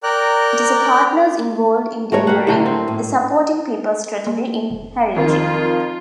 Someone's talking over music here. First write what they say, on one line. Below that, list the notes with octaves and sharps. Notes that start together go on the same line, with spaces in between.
It is a partners involved in delivering the Supporting People strategy in Haringey.
A#4 D5 G5 A#5 F#6
A3 F#4 A#4 C#5
A#3 G4 F#5
A2 D3 F#3
C4
A2
A#3
F1
F2 D#3 F4